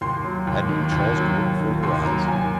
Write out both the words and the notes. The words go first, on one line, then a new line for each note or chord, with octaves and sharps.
Hadn't you Charles Gould before your eyes?
D#2 C6
F#3
D#2
D#3
D#2
F#3
D#2
D#3
D#2 C6
F#3 A#5
D#2 G#5